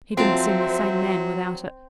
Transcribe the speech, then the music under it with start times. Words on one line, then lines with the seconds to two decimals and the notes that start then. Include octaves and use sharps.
He didn't seem the same man without it.
0.17 F2 F#3 C4 F4 C5 E5 A5